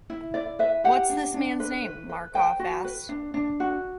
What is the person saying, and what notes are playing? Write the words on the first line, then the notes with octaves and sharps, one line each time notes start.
What’s this man’s name?” Marcof asked.
E4
E4 D5
B4 E5
G4 F#5
D4
D4
B4
B4
B4
B4 G5
F#4
B4
D4
D4
F#4